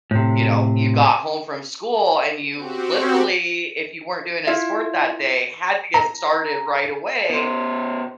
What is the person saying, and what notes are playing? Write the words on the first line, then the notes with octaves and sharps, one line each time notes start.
you know, you got home from school, and you literally, if you weren't doing a sport that day, had to get started right away,
A2 C3
C4 F#4 G4
E4 F4 E5
A#5
B2 C5